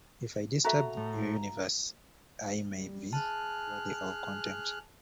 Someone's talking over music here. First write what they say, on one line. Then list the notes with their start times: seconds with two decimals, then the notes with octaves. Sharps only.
If I disturb your universe I may be worthy of contempt.
0.65 F#4 A4 E5 A#5
0.97 A2
2.70 G3
3.13 G#4 A5 F6 F#6